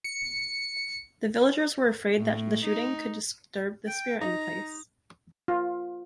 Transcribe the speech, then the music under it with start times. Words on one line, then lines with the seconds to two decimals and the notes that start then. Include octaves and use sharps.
The villagers were afraid that the shooting could disturb the spirit in the place.
0.04 C#7
2.18 A2
2.65 D#4
3.88 G5
4.21 D#4 A#5
5.48 F4